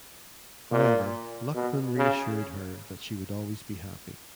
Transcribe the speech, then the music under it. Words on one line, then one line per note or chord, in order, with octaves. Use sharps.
However Luqman reassured her that she would always be happy.
A#2
B2
C#3